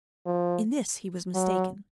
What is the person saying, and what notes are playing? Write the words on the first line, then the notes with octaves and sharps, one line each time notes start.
In this he was mistaken.
F3
F#3